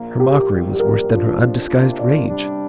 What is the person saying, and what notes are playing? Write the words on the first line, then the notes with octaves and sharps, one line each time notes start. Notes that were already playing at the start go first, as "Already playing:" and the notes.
Her mockery was worse than her undisguised rage.
Already playing: A#1 A#2 A#3
G4
A#1 A#2 G3
G4
A#4
F2 F3 D4 F4
C3 A#3 D4 F4
D5
C3 G3 D4